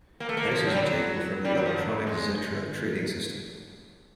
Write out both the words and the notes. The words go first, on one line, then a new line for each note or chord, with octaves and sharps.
Prices are taken from the electronic Xetra trading system.
A#3
A3
A#3
F3
F#3
G3
F#3
G3
F#3
F3
F#3
G#3